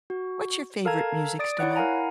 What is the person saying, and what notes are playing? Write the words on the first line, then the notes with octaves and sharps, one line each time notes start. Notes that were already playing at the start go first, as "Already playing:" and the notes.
What's your favorite music style?
F#4
A4 A#4 F5 A5 A#5 G#6
D5 D#6 A6 D7
E4 C#5 F#5 F#6
E4 A#4 F5 F#5 G#5 A#5